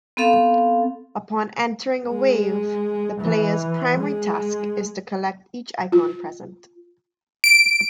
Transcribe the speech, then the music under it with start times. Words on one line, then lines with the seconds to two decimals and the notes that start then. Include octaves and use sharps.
Upon entering a wave, the player's primary task is to collect each icon present.
0.17 B3 C4 A4 F5
2.08 G#3
3.21 E3
3.98 G#3
5.92 F4
7.44 D7